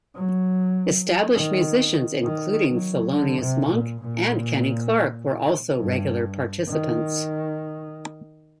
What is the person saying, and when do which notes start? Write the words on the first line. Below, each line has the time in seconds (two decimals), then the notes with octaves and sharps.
Established musicians including Thelonious Monk and Kenny Clarke were also regular participants.
0.16 F#3
1.34 D#3
2.24 D#3
2.68 F#3
3.12 D3
3.42 C3
3.71 A#2
4.01 A#2
5.79 G2
6.69 D#3